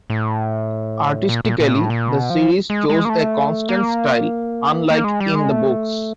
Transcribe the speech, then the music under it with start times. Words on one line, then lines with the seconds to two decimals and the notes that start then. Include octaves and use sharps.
Artistically, the series chose a constant style, unlike in the books.
0.10 A2
1.29 A#2
1.45 A#2
1.60 A#2
1.75 A2
1.90 A#2
2.09 B2
2.30 F3
2.70 G#3
2.89 G#3
3.05 A#3
3.10 A3
3.69 A#3
4.90 A#3
5.04 G#3
5.20 G3
5.35 G#3
5.50 A3